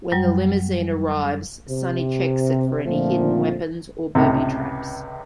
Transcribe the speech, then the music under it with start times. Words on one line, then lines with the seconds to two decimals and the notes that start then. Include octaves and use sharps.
When the limousine arrives, Sonny checks it for any hidden weapons or booby traps.
0.12 F#2 F#3 G3
1.69 C3
2.84 A#2 D3 F3 A3 C4
4.15 C#2 A2 C3